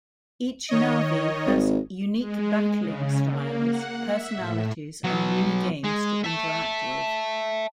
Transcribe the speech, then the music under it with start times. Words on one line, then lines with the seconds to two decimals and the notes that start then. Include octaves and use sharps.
Each Navi has unique battling styles, personalities, and mini-games to interact with.
0.69 D#3 C#5 D#5
1.47 G#1
2.17 G#3
2.78 C#3
3.28 A#3
3.66 F#5
4.06 E5
4.36 A2
5.04 F#3 B3
5.84 G#3
6.24 E5 A5